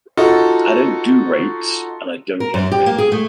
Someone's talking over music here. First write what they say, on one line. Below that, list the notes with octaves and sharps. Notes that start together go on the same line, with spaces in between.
I don't do rapes, and I don't get raped.
D#4 F4 F#4 A4
A#4
F#2
G4
A#3
G#4
A3